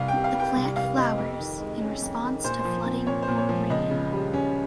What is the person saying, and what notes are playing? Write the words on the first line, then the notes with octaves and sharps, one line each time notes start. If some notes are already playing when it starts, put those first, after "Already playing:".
The plant flowers in response to flooding or rain.
Already playing: C2 F5
G5
C3
F5
G3
G5
C2
C2 F5
C3 D#5
F2
D#3
G#3
C#4
F2
D#3
A#2 C5
C5
F3
C4
A#2 C#5
C5
A#2
C#5
F3
C#2 D#5
C#3
G3
C#4